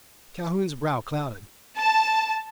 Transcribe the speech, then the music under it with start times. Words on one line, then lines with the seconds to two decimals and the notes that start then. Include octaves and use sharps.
Calhoun's brow clouded.
1.76 A5